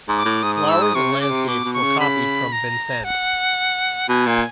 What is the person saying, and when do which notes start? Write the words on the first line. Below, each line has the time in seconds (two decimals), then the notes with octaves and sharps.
Flowers and landscapes were copied from Vincennes.
0.08 G#2
0.17 D6
0.25 A2
0.43 G#2 D#6
0.55 D#6
0.68 E6
0.82 D#6
0.95 C3 C#6
1.12 C#3
1.21 D6
1.30 C3
1.47 B2 D6
1.65 B2
1.73 C#6
1.83 C#3
2.00 C#3 B5
2.52 A#5
3.04 F#5
4.09 B2 G#5
4.27 A#2